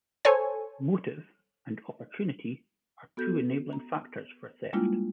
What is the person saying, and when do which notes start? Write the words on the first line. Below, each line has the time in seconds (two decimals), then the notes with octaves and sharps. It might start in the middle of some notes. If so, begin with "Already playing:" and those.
"Motive" and "opportunity" are two enabling factors for theft.
0.25 A4 C5 C#5 G#5
3.17 B3 F#4 A4 G6
3.73 A#5
4.73 G3 G#3 A#3 D4 E4 F4